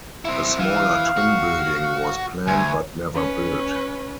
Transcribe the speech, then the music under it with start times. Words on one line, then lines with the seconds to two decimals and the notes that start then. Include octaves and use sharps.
A smaller twin building was planned but never built.
0.25 C4 E4
0.59 E3 F5
1.17 F#4
2.47 D2 G#5
3.15 C#4 B4